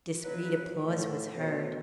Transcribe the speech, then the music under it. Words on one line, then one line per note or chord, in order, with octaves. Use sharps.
Discreet applause was heard.
E1 F#3 B4
A2 D3
B2 A3 C5 C#5